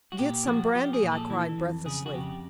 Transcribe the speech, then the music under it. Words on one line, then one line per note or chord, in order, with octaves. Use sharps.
"Get some brandy!" I cried, breathlessly.
F#4
A#2 G4
F3 F#4
F3 G4
G#4
A#2
A4
E3
F2
C#3 G#4
F#4
F2 G4